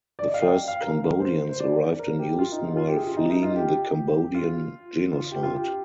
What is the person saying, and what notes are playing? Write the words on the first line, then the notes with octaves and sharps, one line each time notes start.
The first Cambodians arrived in Houston while fleeing the Cambodian genocide.
D5
D#5
F5
G5
F5
A#4
A#4
C5
C5
D5
D5
A#4
G4
F4
D#4
F4
F4
G4
G#4
F4
D#4
D#4
F4
G4
F4
F4
G4
F4
G4